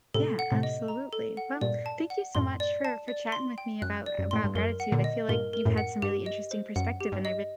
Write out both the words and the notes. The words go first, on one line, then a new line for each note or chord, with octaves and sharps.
Yeah, absolutely. Well, thank you so much for for chatting with me about about gratitude, I feel like you've had some really interesting perspective, and I
A2 C3 A4
F#5
A2 C3
D#5
A#5
A4
F#5
G2 A#2 D5
A5
F#5
F#2 A2 C6
D5
A5
D5
C6
G5
F#2 F#6
D5
F#2
A2 C6
G2
F#2 A#4
F#5
A#2 D3
D#5
G2 A#2 A#4
A#4
F#2 A2
F#5
G2 G4
D#5
C5
F#2 F#5
G4
G2
D#5